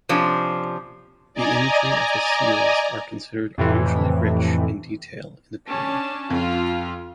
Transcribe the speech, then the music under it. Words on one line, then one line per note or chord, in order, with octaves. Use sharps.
The imagery of his seals are considered unusually rich in detail in the period.
C3 F3 C#4 D4
D5 D#5 G#5 A#5
F2 A2 C3 E3
C#4 D4 A5
F2 F4